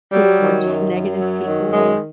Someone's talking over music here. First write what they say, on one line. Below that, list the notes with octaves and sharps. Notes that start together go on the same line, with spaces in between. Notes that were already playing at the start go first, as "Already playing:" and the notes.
who were just negative people,
F#3 G3
D#3
F#2
F#2
F#3
D#3
F#2 G#3